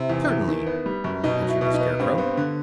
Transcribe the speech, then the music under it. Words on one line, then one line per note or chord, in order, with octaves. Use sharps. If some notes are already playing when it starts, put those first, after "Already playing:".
"Certainly," answered the Scarecrow.
Already playing: C3 E4
E2
E2
D#3
B3
G3
F#2
B2 D#4
F#3
E4
B2 E4
D#4
B3
G2 C4
B3 C4
D3